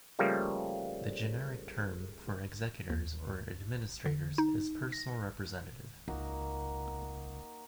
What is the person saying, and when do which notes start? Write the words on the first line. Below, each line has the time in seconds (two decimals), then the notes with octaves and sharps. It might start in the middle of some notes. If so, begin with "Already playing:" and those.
The generic term for executors or administrators is personal representative.
0.19 C#3 F3 G3 A3 A#3
2.90 D#2
4.06 D3
4.38 D#4
4.92 A#6
6.08 C#2 A#3 D#4 F#4